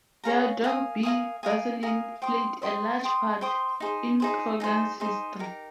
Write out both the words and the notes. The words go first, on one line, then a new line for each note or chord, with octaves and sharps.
Theodore B. Basselin played a large part in Croghan's history.
G#4 C#5 F5 A#5
A#4 F5 G#5 D#6
A#4 F5 G#5 D#6
A#4 F5 G#5 D#6
A#4 F5 G#5 D#6
C5 G5 C6 D#6
C5 G5 C6 D#6
C5 G5 C6 D#6
C5 G5 C6 D#6
D#4 G#4 C5
D#4 G#4 C5
D#4 G#4 C5
D#4 G#4 C5
D#4 G4 A#4